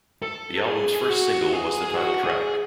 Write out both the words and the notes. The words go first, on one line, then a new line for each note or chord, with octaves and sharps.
The album's first single was the title track.
A4
G#4
F#4
G#4
F#4
G#4